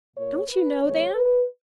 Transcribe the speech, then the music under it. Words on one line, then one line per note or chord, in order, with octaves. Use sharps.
Don't you know them?'
A#2 A#3 C#5
B4
F#2 D#3 G#3 B3 C#5
B4